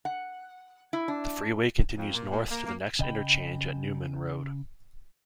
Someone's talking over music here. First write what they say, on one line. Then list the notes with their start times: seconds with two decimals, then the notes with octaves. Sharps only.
The freeway continues north to the next interchange at Newman Road.
0.05 F#5
0.93 E4
1.08 D4
1.97 F2
2.14 A#2
2.30 A#2
2.50 A#3
2.66 A#3
2.99 C#3 D#5 G5 B5